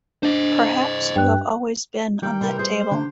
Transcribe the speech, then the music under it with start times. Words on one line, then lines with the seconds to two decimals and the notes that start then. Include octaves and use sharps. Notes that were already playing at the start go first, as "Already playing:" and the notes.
Perhaps you have always been on that table.
0.23 D4 C5 D#5
1.16 G2 G5 F#6
2.23 D#3 G3 G5
2.41 C3 E3 A#4
2.59 G#4 C5
2.91 D3 G4